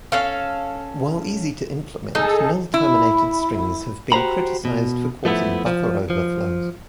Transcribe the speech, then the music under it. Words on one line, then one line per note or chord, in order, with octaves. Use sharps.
While easy to implement, null terminated strings have been criticized for causing buffer overflows.
C#4 A4 F5
D#4 G#4 A4
E4
F#4 G4 C5 A#5 B5
B2
F3 A3 B3 E4
F3
F3